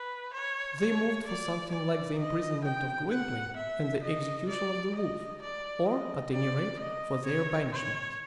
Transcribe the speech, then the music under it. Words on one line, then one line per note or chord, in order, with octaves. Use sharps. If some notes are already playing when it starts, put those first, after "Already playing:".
They moved for something like the imprisonment of Gwynplaine and the execution of the wolf, or at any rate for their banishment.
Already playing: B4
C#5
C#5
D5
D5
D#5
G5
F#5
E5
D#5
D5
D#5
D5
D#5
D5
D#5
C#5
C#5